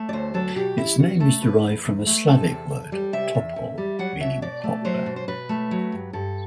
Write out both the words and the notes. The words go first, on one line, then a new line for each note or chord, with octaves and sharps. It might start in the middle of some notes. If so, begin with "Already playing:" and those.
Its name is derived from a Slavic word, "topol", meaning "poplar".
Already playing: A3
D5
D2 C5
F#3 A4
B2 G4
E2 E4
E2 F#4
A3 A4
B2 B4
E2
E2
A3
C3 A4
E2
E2
G3
C3 E5
E2
E2
G3
F#3 F#5
B2 E5
B2 D5
A3
F#3 C5
B2
C5
B2 B4
A3
F#3
G2
G2 A4